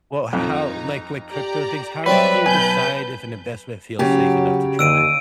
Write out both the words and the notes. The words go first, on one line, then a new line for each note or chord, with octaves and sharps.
well, h how, like like, crypto things how do you decide if an investment feels safe enough to try?
F2 D#4 A#5
G4 D5 A#5
F#3 G3 C4 B4 D5 E5
B1 G#5 A5 B5 G6
C#3 F#3 G4
D#2 D3 E6 D7 D#7